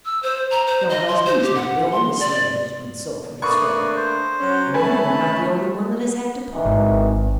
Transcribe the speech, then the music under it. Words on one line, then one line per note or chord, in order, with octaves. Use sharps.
Your husband is not the only slave that has been sold from his family, and you are not the only one that has had to part.
E6
C5
A#5
C5
D#5
C6
C5
G4
F#5
C6
D5
A3 A#3 D4 B4 D5 C#6 D#6
C5
F#3 C#4
A3 C#4 B4 G#5 A5 B5
D#3 E3
G#1